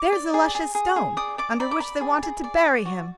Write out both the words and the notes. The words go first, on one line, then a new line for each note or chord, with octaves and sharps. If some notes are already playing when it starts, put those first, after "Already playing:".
"There's Ilusha's stone, under which they wanted to bury him."
Already playing: D6
D5
G#4
G#4
G#4
G#4
D5 D#6
D5 D6
D5 B5
D6
D5 B5
G#4
G#4
D5
D5
F#4